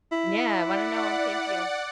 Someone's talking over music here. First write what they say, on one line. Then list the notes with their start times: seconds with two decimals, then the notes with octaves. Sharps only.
Yeah, I wanna know. Thank you.
0.12 E4
0.47 D5 F#5